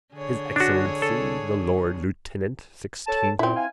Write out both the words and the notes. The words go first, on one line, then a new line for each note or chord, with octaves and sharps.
His Excellency the lord lieutenant. Sixteenth.
D3 G#4 C#5
D4 F#4
A4
A4 C#5 A5
F#2 A#2 C4 E4
F5 G#5